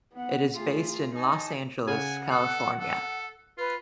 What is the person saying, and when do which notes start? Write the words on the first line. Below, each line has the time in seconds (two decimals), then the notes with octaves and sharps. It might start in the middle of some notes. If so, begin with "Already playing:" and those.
It is based in Los Angeles, California.
0.13 B3 F#5
0.54 A3 F4 G#4
1.15 D#4 G#5 A5
1.87 C#3 F#5 G#5
2.30 A4 F#6
2.79 A4
3.58 F4 B4